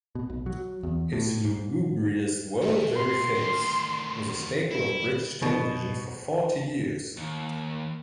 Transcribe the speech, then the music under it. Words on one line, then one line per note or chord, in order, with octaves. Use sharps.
His lugubrious world-weary face was a staple of British television for forty years.
B2
B1
F#3
E2
A2
G#2
G#2
C6
D2 D#3
E4
B2
D#2